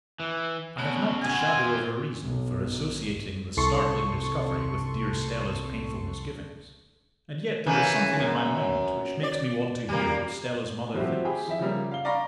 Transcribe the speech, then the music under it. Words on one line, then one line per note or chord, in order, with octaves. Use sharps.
I have not the shadow of a reason for associating this startling discovery with dear Stella's painful misgivings--and yet there is something in my mind which makes me want to hear what Stella's mother thinks.
E3
C#3 A3 B3 F#4 C#5
F#5 G#5
C4 F4
B1
C2 A4 C6 C#6
C#3 E3 A#3
F#2
D5
G3 A#3
F3 G3 C4 E4 F#4 G4
G4 G#4 G5 B5
F3 E4 E5
C#3 F3 G3 A#3
F5 G7
D5 F5 A#5 B5 C#6 A#6